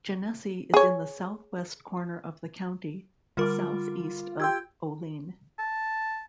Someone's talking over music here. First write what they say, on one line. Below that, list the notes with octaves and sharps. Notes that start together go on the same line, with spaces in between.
Genesee is in the southwest corner of the county, southeast of Olean.
G#4 C#5
D3 G3 F4 A#4 D6
G4 G5 C6 E6 G#6
A5